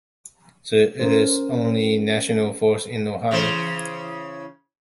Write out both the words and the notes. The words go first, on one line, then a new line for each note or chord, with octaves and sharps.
It is the only national forest in Ohio.
C#4 A#4 C5
C#3 E3 C5